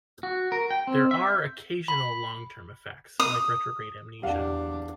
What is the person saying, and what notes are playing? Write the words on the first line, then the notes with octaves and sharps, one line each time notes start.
There are occasional long-term effects, like retrograde amnesia.
F#4
A#4
G5
C4
E5
G6
B5
D#6
E2 D4 G4 F5 F#5